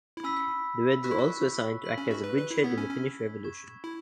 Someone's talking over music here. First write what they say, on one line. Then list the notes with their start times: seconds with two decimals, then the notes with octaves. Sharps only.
The Reds were also assigned to act as a bridgehead in the Finnish revolution.
0.17 E4
0.24 C#4 B5 E6 B6
1.04 F#4 C#6 F#6 B6
1.11 E4
1.18 F#4
1.84 F#6 B6 F#7
1.98 C#4
2.11 F#4
2.24 B4
2.37 B4
2.51 E4
2.64 B3 E6 G#6 B6
2.78 C#4
2.91 C#4
3.44 C#6 G#6 E7
3.84 E4